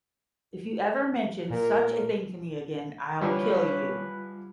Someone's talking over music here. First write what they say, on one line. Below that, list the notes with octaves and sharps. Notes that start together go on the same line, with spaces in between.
If you ever mention such a thing to me again, I'll kill you.
A#2 A#4
D3 E3 F3 G3 F4 B4 C#5